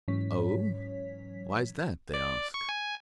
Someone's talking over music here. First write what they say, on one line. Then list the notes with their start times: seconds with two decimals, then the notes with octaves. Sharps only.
"Oh! why's that?" they ask.
0.08 G#2 E3 F#3 C#4 C#5 B6
2.14 D5
2.54 C#6
2.69 G#5